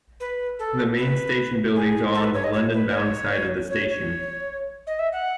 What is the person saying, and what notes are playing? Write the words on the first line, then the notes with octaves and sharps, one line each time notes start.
The main station buildings are on the London-bound side of the station.
B4
A4
B4
G#4
A4
B4
C#5
D#5
C#5
B4
C#5
C#5
C#5
D#5
E5
F#5